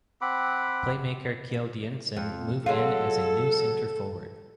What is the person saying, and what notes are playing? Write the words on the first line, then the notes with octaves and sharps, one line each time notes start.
Playmaker Kjeld Jensen moved in as the new center forward.
C4 F#5 B5 D6
F2
F#3 G#3 F4 A4